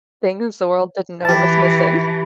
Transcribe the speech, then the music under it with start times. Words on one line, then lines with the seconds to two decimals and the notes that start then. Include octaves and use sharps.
Things the world didn't know it was missing.
1.25 E3 G4 A5